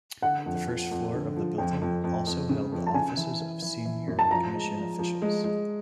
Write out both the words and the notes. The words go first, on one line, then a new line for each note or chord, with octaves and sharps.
The first floor of the building also held the offices of senior Commission officials.
D3 F#5
F2
F3
F2
D3
F3
F2 G5
F2
F2
F2
C#3
F2
A5
C#3 G#5
E3
E3
E3
E3
F#2
A5
F3 A#5
G#3
F3
F3
G#3
G#3